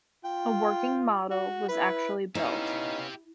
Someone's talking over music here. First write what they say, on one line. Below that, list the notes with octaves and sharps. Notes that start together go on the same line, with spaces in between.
A working model was actually built.
F4 G5
F#4
E4 B4
B3 C#4 D#4 E4 G4 E5 F5